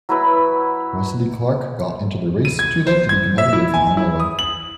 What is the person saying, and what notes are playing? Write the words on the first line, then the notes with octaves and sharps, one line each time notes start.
Wesley Clark got into the race too late to be competitive in Iowa.
F#3 E4 B4 B5
D#7
G#6
C5
G#6
E5
E4
G#5
E4
D#6
F#7